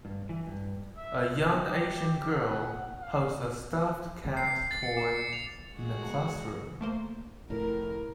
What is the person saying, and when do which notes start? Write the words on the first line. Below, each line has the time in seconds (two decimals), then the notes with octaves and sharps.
A young Asian girl holds a stuffed cat toy in a classroom.
0.05 G2
0.29 E3
0.47 G2
0.96 E5
1.42 G4
2.31 F#5
3.01 F5
4.37 C7
4.58 C7
4.71 A6
4.83 C#7
4.97 D6
5.14 C#7
5.33 F7
5.74 G#3 F#4 G#4
6.81 A3 A#3 C5
7.50 F1 A2 E4 A#4